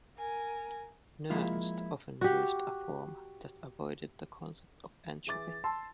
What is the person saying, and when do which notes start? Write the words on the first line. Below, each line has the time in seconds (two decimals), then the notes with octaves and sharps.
Nernst often used a form that avoided the concept of entropy.
0.18 A#4 G#5
1.30 F3 G#3 A#3 E4 F4
2.21 F#4 G4
5.27 E3 G#4 E5 D6 A6
5.64 A5 C6 E6